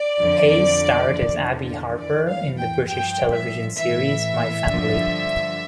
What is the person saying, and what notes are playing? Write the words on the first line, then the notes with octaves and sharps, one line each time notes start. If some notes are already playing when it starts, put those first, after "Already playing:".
Hayes starred as Abi Harper in the British television series "My Family".
Already playing: D5
F2 D3 F3
E2 D3 F3
F2 E3 D5
F5
G5
G2 F3 G5
E5
A2 E3 E5
G2 D3 F3